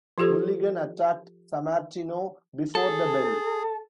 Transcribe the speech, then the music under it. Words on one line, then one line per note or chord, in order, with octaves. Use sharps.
Mulligan attacked Sammartino before the bell.
F3 F4 G4 A4 C5
G#4 A4